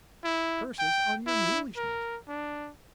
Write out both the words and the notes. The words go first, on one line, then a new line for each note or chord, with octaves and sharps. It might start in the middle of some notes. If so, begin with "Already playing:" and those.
"Curses on your mulishness!"
E4
G5
E4
A#4
D4